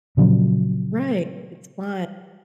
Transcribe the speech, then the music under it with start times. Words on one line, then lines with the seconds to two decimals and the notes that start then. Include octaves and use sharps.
Right. It's fun.
0.17 A#2 C#3 F3 F#3